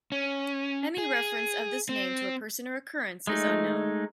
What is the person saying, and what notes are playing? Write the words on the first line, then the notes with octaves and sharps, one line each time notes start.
Any reference of this name to a person or occurrence is unknown.
C#4
G#4
C4
G#3 A3 D#4